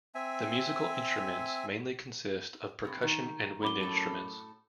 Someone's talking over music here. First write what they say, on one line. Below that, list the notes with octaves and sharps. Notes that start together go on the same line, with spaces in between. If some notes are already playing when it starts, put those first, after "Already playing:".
The musical instruments mainly consist of percussion and wind instruments.
C4 E5 G#5
G2 C3
D#3
F#2 B5 D6 G7
F#2 A2 A4